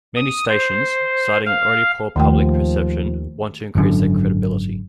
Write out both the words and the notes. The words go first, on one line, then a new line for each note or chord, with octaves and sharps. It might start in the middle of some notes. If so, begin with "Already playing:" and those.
Many stations, citing an already poor public perception, want to increase their credibility.
D#6
C5
F5
D#2 D#3 F3 A3 G5
G#1 F#2 D3